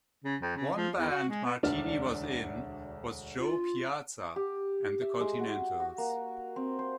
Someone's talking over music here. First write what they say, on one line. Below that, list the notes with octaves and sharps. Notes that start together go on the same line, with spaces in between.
One band Martini was in was Joe Piazza and the Continentals.
C#3
F2
C#3
F3
E2
F#4
G#3
B3
E1 D2 D4 F6
F4
G4
E5
G#3
F#4
F#4
A#3
C4
C5